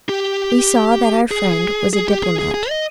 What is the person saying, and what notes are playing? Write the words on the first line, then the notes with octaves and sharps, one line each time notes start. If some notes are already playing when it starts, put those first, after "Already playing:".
We saw that our friend was a diplomat.
G4
G#4
G#4
G4
G#4
G#4
G#4
D#5